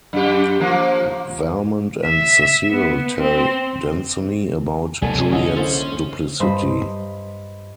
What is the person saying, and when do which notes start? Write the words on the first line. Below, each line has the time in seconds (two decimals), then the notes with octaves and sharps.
Valmont and Cecile tell Danceny about Juliette's duplicity.
0.13 F#2 G4
0.60 F3 A#3
2.06 E5
2.70 B3
3.18 C4
5.02 B1 C3 G3 A3 A#3 G#5
5.32 D3 F#3 C#4 E4 D#5
5.57 A#3 E4 A4 C5
6.40 G2 C5 D#5 B5